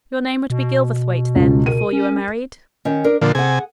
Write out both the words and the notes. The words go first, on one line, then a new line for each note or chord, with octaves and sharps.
"Your name would be Gilverthwaite, then, before you were married?"
B2
C#2
A#4 D#7
C#4
D#3 C#4
D4 A#4
A#2 D3 F3 A#4
C3 G#4 F#5 G#5